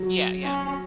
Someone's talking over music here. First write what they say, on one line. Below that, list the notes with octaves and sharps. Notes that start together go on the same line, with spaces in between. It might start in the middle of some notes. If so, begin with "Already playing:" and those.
Yeah, yeah.
Already playing: F#3
C#4